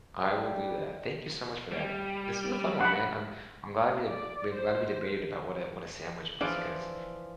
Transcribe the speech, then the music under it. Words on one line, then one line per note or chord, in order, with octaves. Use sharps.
I will do that, thank you so much for that, this was a fun one, man, I'm I'm glad we de b I'm glad we debated about what a what a sandwich was 'cause
G3
G3
D4 F#5 B5
D5
C5
E3 F3 D4 E4 G#4 D5